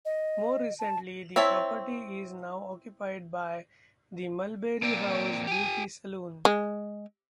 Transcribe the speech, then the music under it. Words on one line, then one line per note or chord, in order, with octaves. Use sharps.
More recently the property is now occupied by The Mulberry House Beauty Salon.
D#5
A5
C4 E4 C#5 E5 A5
A#3 C4 D5
G4 G#5
G#3